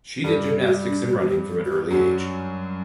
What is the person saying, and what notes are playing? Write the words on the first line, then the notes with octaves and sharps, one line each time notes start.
She did gymnastics and running from an early age.
G2 G3 A4
A4
G4
F#4
D4
F#4
F#4
G4
A4
F#4
G4
F#2 F#3 F#4